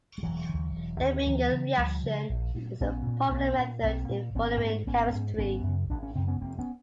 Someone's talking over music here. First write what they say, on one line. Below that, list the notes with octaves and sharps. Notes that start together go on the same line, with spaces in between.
The Bingel reaction is a popular method in fullerene chemistry.
G3
E1 E3 F#3
D#2 D3
E1
D#2 D3
D2 E3 F#3
C#3
D2 F3 G3
C#3
A#1
A#2
A#1 B3 C#4
A#2
B1 B3 C#4
A#2
B1 A#3 C4
A#2
G#1 B3 C#4
G#2
G#1 B3 C#4
G#2
G#1 B3 C#4
F#2 C#3
G#1 D4
C#4
F#2 C#3 C4
B3 C#4
F1 A#3 C4
B3 C#4